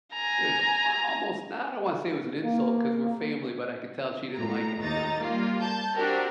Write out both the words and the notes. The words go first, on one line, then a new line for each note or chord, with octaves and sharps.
is my almost, and I don't wanna say it was an insult 'cause we're family, but I could tell she didn't like it, you know.
G#5 A#5
A#3
A2 A#5
D#2 D#4 A#5 A6
G3 A#3 F4
A5 G6
C4 D4 F#4 G4 A#4